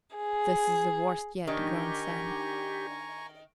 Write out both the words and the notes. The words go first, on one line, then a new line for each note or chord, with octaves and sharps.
"This is the worst yet!" groaned Sam.
G#4
D#3 D4 D#4 G4 G#5 A#5 C#6